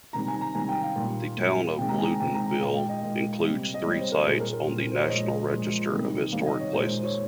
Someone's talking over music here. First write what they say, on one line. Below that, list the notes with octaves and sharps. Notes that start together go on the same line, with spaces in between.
The town of Loudonville includes three sites on the National Register of Historic Places.
C3 D#3 G3 A#5
G#5
A#5
C3 D#3 G3 G#5
G5
F5
A#2 G3
A#2 G3
C3 D#3 G#3 G5
A#5
G#5
C3 D#3 G#3 G5
A#5
G5
A#2 G#3 F5
G5
D#5
A#2 G#3
C3 G3
D#5
C3 G3 C#5
C5
A#4
A#2 G3 G#4
A#4
A#4
A#2 G3
C5
C#5
A#2 F3 G#3 D#5
A#2 F3 G#3
C3 D#3 G3
C3 D#3 G3 F5
D#5
C#5
A#2 G#3 C5
C5
C#5